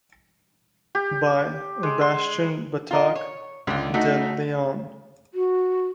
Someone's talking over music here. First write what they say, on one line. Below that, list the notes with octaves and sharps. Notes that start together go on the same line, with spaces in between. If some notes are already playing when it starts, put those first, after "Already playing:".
By:Bastian Batac De Leon.
G4
G#3
C6
F4 A#4 D#5
C#5
C#2 D3 F4
A3 D#4 F#4
F#4